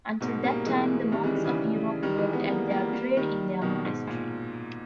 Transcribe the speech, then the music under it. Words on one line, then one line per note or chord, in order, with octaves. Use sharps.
Until that time the monks of Europe worked at their trade in their monastery.
G#2 B2
G3 A#3
E3 G#3
D#3 G3
E3 G#3
D#3 G3
C#3 E3
D#3 G3
E3 G#3
G#3 B3
G3 A#3
G3 A#3
G3 A#3
D#3 G3
B2 D#3
G#2 B2
A#2